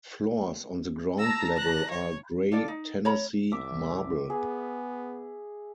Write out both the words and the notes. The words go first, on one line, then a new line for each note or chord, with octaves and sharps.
Floors on the ground level are gray Tennessee marble.
A5 A#5 E6 A#6
F#6
C#5
D4 F4 A4 D5
D#4
C#5 A#5 B5
C2 E5 D6
B3 G#4